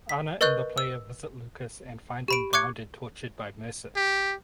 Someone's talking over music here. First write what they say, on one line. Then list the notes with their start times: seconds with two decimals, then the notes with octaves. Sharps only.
Ana and the player visit Lucas and find him bound and tortured by Mercer.
0.09 B6
0.41 A#4 B4 D#5 C#6 F#6 G6
0.78 E6
2.28 G4 B5 D7
2.53 C#6 D6 F#6 G#6 C#7
3.96 G4